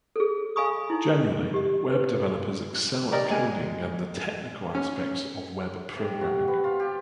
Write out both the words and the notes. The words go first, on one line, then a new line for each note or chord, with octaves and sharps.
Generally, web developers excel at coding and the technical aspects of web programming.
G#4 A4
D#5 F5 G#5 B5 C#6 D#6
D#4 E4
G4 D#5
B4
G4 A#4 D5 D#5
G#3 G#5
C#4
C3
F#4
B3
F4
G4